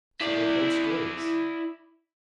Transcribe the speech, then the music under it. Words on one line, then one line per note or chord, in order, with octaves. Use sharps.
So they told stories.
E4 D5